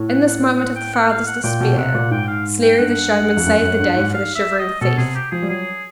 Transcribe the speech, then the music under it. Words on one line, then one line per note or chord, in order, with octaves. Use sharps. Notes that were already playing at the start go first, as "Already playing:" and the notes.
In this moment of the father's despair, Sleary the showman saved the day for the shivering thief.
Already playing: A2
F#5
F#5
F#5
G5
F#5
F5
F#5
A#2 G5
B2
C3 F#5
A#2
G#2 G5
F5
G5
G2 F#5
F2
F#2
F#2
G2
G#2
F5
E5
D#5
B2 A4
C3 G#4
G4
F3 G#4
G3
F#3 G#4